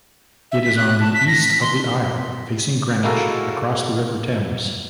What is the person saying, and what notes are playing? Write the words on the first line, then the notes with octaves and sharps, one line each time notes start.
It is on the east of the Isle, facing Greenwich across the River Thames.
E5
B6
F#6
A5
B6
A#6
B6
C6
G#3 A#3 E4 F#4 A4 A#4